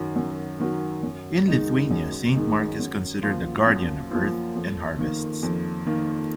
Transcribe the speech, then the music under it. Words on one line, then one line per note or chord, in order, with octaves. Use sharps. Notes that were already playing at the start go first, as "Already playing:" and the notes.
In Lithuania, Saint Mark is considered the guardian of earth and harvests.
Already playing: F#2 D#3 F#3
F#2
D#3 F#3
F#2
D#3 G#3 D#4
F#2
D#3 G#3 D#4
F#2
F3 A#3 F4
F#2
F3 A#3 F4
F2
D#3 A#3
F2
D#3 A#3